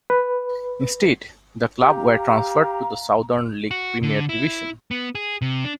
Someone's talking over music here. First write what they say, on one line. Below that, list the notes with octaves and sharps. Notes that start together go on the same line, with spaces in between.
Instead, the club were transferred to the Southern League Premier Division.
B4
G4 F5 A#5
F#4
D3
E4
B3
G#4
C3
D4